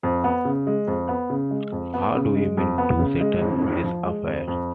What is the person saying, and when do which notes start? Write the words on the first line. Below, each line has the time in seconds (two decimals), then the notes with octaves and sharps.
How do you mean to settle this affair?
0.03 F2
0.24 B3
0.45 C#3
0.67 G#3
0.87 F2
1.09 B3
1.30 C#3
1.51 G#3
1.72 F2
1.94 B3
2.15 C#3
2.36 G#3
2.57 F2
2.78 B3
2.99 C#3
3.21 G#3
3.41 F2
3.62 F2
3.84 F3
4.05 G#3
4.27 F2
4.48 F2